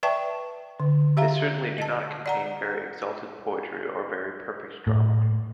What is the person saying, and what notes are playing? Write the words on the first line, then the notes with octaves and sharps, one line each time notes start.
They certainly do not contain very exalted poetry or very perfect drama.
B4 D5 E5 G5 A5 C#6
D3
G4 E5 F5 A#5
D#5 A5
D5 F#5 A#5
A2